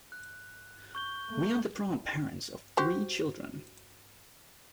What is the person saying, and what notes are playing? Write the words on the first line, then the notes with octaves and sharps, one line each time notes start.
We are the proud parents of three children.
F#6
C#6 G6 G7
A3 A#3
F#4 G4 C5